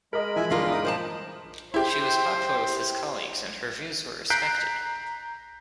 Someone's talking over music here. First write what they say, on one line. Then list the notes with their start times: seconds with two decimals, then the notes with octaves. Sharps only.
She was popular with his colleagues and her views were respected.
0.13 G#3 A#4 D#5 B5
0.36 E3 F3 E4 E5 G#5
0.50 G1 B2 E3 D4 F4 A#4 D#5 C6
0.71 D#4 D#6
0.85 A#2 F3 C5 A5
1.74 E4 G4 C5
4.30 A#5 F#6 G6 B6 C7 D7